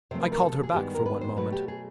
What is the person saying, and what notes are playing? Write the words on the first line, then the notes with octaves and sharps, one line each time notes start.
I called her back for one moment.
C3 F3 A3 C4 C5
B4
A#4
A4
A4
G#4
G2 D#3 G#3 B3 G4
A#4
B4
C5
B2 F#3 A3 B4
G4
G#4